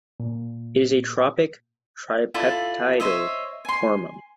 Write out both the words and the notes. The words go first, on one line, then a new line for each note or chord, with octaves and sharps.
It is a tropic, tripeptidal hormone.
A#2
E4 F4 A4 D5
C5 C#5 D#5 E5
G#5 C6